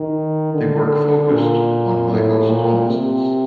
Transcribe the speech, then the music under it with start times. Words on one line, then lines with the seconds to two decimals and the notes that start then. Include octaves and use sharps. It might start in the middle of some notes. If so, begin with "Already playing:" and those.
The work focused on Michael's homelessness.
Already playing: D#3
0.54 D3
1.33 A#2
2.11 A2
2.49 A#2
2.89 C3